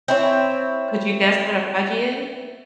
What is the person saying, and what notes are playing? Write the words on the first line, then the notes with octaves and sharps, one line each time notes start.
Could you guess what a "fudgy"
C4 E4 C#5